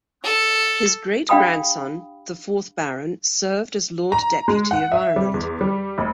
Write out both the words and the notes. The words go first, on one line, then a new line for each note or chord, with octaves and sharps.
His great-grandson, the fourth Baron, served as Lord Deputy of Ireland.
A4
D4 G4 F5 G5 B5 D#6
A#5
G#3
F#5
E5
G3
E2
G3
F1